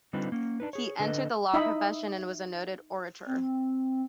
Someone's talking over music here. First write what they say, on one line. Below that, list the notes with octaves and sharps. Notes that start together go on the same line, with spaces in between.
He entered the law profession, and was a noted orator.
D3 G3 C4 D#4 F4 B4
A#3 C#4
D4 D#4 B4
G#4 C#5
D3 D4 A4 B4 D#5
D#4 E4 D#5 E5 B5
C4